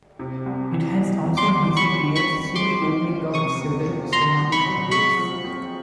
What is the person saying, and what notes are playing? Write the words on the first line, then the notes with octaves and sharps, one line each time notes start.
It has also in recent years seen the opening of several Somali cafes.
C3
C2
E3
B2
E2
C6 D6
G3
G3 B5 C#6
D#3
B5 C#6
C4
G#3 C6 D6
D#3
C#4
C3 C#6 D#6
E2
F3
B2 A#5 C6
C2
B5 C#6
F#3
G#3 B5 C#6
F3
C4